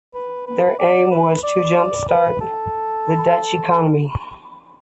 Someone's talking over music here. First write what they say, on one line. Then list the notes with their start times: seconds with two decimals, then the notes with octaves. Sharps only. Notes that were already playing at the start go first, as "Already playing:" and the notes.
Their aim was to jump start the Dutch economy.
0.15 B4
0.47 B4
0.79 D5
1.11 B4
1.43 D5
1.76 D5
2.09 B4
2.41 A4